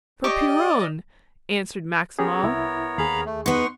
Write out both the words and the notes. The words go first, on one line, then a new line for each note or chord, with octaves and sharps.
"For Piron!" answered Maximov.
G4 D5 D#5 C#6 D6
B3 C#4 G4 G#4 A#4 C#5
C2 E4 E5
D#2 G#4 F5 A#5 B5
A3
B3 D#4 F#5 C6 C#6